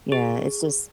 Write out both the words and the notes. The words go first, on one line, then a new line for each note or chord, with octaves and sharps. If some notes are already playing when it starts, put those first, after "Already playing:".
Yeah, it's just
G#4